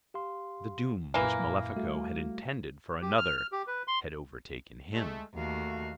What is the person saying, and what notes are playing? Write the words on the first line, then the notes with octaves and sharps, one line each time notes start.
The doom which Malefico had intended for another had overtaken him.
G4 F5 C6
F#2 A#2 E3 A#3
G3 A3 F#4
G4
F6
F6
G4
B4
C6
G#3 A3
D#2 A3 F#4 F5